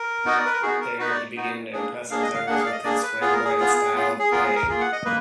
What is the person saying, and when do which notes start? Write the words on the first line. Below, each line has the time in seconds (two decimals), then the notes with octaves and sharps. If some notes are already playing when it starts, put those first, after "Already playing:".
There, he began to impress observers with his flamboyant style of play.
Already playing: A#4
0.26 B3 D#4 F#4 D#5
0.36 D5
0.45 B4
0.54 A#4
0.63 B3 D#4 F#4 G#4
0.81 A#4
0.99 B3 D#4 F#4 B4
1.11 D5
1.37 B3 D#4 F#4
1.73 A#3 D4 G#4
2.10 A#3 D4 G#4 F5
2.22 D#5
2.35 F5
2.47 A#3 D4 G#4 F#5
2.60 F5
2.66 D5
2.72 D#5
2.84 A#3 D4 G#4 D5
3.02 B4
3.21 B3 F4 G#4
3.33 A#4
3.45 G#4
3.57 B3 F4 G#4
3.95 B3 F4 G#4
4.19 G#4
4.31 B3 F4 G#4 A#4
4.44 G#4
4.56 A#4
4.69 A#3 F4 G#4
4.81 F#5
4.93 D#5
5.05 A#3 B4